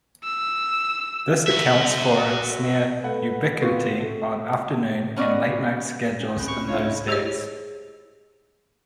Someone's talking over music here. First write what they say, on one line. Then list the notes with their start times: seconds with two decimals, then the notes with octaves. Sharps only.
This accounts for its near-ubiquity on afternoon and late-night schedules in those days.
0.24 E6
1.47 F#4 E5
3.03 A3 B4 F#5
3.61 B3 C4 F4 F#4 C#6
4.00 A3
5.16 B3 C#4 D5 D#5
6.20 C#4 G#4
6.36 C#2 C4 B5 F#6 G6
6.48 C#6
6.68 D4 F4 C#5 D#5 A5
6.84 E4 D#5
7.08 G4 G#4 C5 C#5 D#5